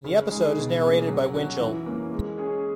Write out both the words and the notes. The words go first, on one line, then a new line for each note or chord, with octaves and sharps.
The episode is narrated by Winchell.
C#3
G#3 D#4 G#4
B2
A#3 C#4 G#4
F#3
C#4 F#4
E3
A#3 C#4
G#3
C#4 G#4